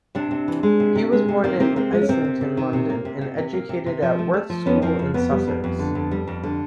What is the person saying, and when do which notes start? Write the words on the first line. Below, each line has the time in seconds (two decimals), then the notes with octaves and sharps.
He was born in Islington, London, and educated at Worth School in Sussex.
0.15 C3 C4 D4
0.31 C3
0.48 E3
0.63 G#3
0.80 C3
0.95 C3
1.12 G#3
1.28 C3
1.44 D#3 A#3 C4
1.60 C3 A#3 C4
1.76 G#3 A#3 C4
1.92 G#3
2.02 C#4
2.09 C3 A#3 C4
2.24 C3
2.41 C3
2.57 D#3
2.73 C3
2.89 A#3
3.05 C3
3.21 C3
3.38 C3
3.53 A#3
3.69 C3
3.86 C3
4.02 F3
4.19 A3
4.34 A3
4.50 F3
4.66 F2 B3 C#4
4.82 F3 A#3 C4
4.99 F2
5.14 F2 B3
5.31 G3
5.47 F2
5.64 F2
5.79 D3
5.95 F2
6.11 G3
6.27 F2
6.43 D3